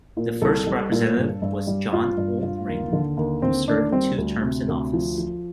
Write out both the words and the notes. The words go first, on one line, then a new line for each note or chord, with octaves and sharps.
The first representative was John Oldring who served two terms in office.
A#2
C2 A4
G3
A#2
G2
G2
G3
G2 F4
G2
G2
D#2
D3
D#2
D3 C4
D#2 D4
G3 C4
D2
C3
D2
F3
F3